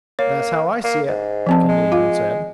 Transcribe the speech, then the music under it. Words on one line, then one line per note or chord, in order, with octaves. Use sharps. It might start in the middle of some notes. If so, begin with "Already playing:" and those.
"That's how I see it," the Canadian said.
A#3 C#5
A#3
G#2
F3 C4 A5
G#3
F4 F5